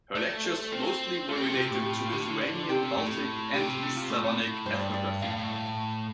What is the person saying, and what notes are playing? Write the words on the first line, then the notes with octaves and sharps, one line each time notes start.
Her lectures mostly were related to Lithuanian, Baltic and East Slavonic ethnography.
A3 D5
A4
C5
A4
C4 F4
A3 F4
C4 G4
A3 F4
G4
C3 F4
G4
A2 F4
G4
F4
G4
F4
D3 G4
F4
D5
A4
C3 G4
F4
A2 A4
C3 G4
F4
D4
F4
A2 A4
A2
G2 C5
D5
D5
A2 F5
A2